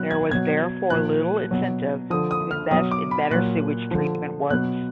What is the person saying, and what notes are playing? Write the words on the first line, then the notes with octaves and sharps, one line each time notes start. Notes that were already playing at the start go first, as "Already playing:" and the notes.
There was therefore little incentive to invest in better sewage treatment works.
Already playing: B2 F#3 F#6
G#6
B2 F#3 G#6
A#2 F3 F#6
B2 F#3
D3 F3 D#6
D#6
F6
B2 F#3 D#6
D6
B5
A#2 F#3 F#6
D3 F3
B2 F#3 F#6